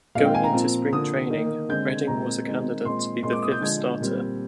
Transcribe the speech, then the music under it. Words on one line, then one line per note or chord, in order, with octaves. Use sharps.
Going into spring training, Redding was a candidate to be the fifth starter.
A#2 G#3 C4 F5
G5
G#5
A#5
A#2 F3 C4
D3 F3 A#3 D#6
D#3 A#3
D3 G#3 C4 G6
G#6
A#2 G#3 C4 A#5
D#3 G#3 C4
A#2 G#3 C4 C6
A#2 G#3 C4 C6
D6
D#6
G6
D3 F3 G#3 G#6
A#2 G3 C4